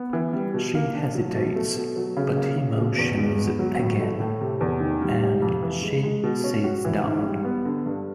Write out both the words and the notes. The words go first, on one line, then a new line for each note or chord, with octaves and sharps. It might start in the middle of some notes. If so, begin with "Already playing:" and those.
She hesitates, but he motions again, and she sits down.
Already playing: B3
E3
G3
B2
A#3
D4
F#3
B2
A3
B2
F#3
C#3
A#3
C#3
B2
E2
G#3
B3
F#3
A2
A3
A2
C3
E2
D#3
G3
C3
F2
E3
G#3
G#3
B2
C#4
F#4
E3
G#2
G3
B3
D3
G2